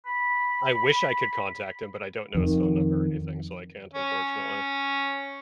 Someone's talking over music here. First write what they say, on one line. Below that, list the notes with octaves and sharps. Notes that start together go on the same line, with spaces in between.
I wish I could contact him, but I don't know his phone number or anything, so I can't, unfortunately.
B5
F2 D#3
C#4